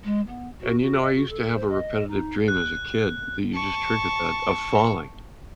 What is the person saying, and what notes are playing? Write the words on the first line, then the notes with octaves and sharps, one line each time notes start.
And, you know, I used to have a repetitive dream as a kid, that you just triggered that, of falling
G#3
B3
F#4
F#4
D#5
F#4
A4
C5
D#5
D#4
F#6
A5 C#6